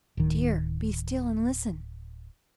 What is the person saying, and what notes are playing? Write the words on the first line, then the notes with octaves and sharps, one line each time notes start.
"Dear, be still, and listen!"
D1 D#3